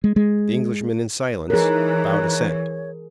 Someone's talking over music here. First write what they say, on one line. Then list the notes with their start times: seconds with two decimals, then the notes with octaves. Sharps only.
The Englishmen, in silence, bowed assent.
0.04 G#3
0.16 G#3
1.50 E3 D#4 G#4 A#4 C#5 A#5 F#6